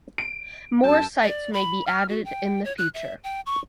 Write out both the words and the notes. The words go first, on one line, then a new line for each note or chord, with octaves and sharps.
More sites may be added in the future.
D7
F#2 A4 A5 G6
D5
B5
F6
F#4
G5
C#5
F#6
E5
G5
C#6